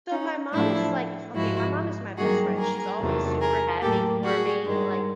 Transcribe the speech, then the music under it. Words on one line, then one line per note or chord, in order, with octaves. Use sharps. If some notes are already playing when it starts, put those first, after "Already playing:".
So, my mom is like Okay, my mom is my best friend, she's always super happy for me, like,
C#4 D#4
A2 F3 A3 D4 E4
G#2 F3 G#3 E4 F#4
G2 D#3 F#3 A#3 F#4 G#4
G#4 A#4
E2 C3 D#3 F#3 A3
G#4 A#4
A2 F#3 A#3 G4 A4
F#4 G#4
G2 D#3 G#3